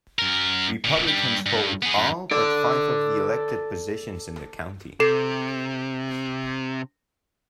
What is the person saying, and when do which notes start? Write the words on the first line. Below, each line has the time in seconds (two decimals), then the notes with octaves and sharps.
Republicans hold all but five of the elected positions in the county.
0.19 F#2 A#4
0.84 A#2 D3
1.07 G2 G3
1.46 G2
1.82 B3 G#4
1.98 F#2
2.31 A4 D5
5.00 C3 A4 C7